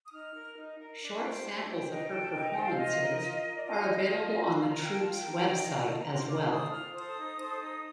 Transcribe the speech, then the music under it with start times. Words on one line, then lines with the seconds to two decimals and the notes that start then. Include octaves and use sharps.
Short samples of her performances are available on the troupe's website as well.
0.05 D#6
0.13 D#4 F6
0.35 A#4
0.57 D#4
0.79 A#4
1.01 D4
1.23 G4 C5
1.45 D4
1.67 G4 C5
1.89 D#4 G5
2.11 A4 C5
2.33 D#4
2.52 A4 C5 G5
2.65 F5
2.77 F4 D#5
2.99 A#4
3.21 F4
3.42 A#4
3.56 D5
3.64 F4 D#5
3.86 C5
4.08 F4
4.31 C5
4.52 F4 F5
4.63 A5
4.67 A#5
4.74 A#4
4.82 G5
4.96 F4 A5
5.10 G5
5.18 A#4
5.25 G5
5.40 D#4
5.53 D5
5.60 A#4 D#5
5.68 F5
5.77 G5
5.84 D#4 A5
5.99 A#5
6.05 A#4
6.13 C6
6.28 F4 D6
6.49 A4 C5 D#6
6.71 F4 F6
6.93 A4 C5 D#6
7.16 D#4
7.38 A4 C5
7.59 D#4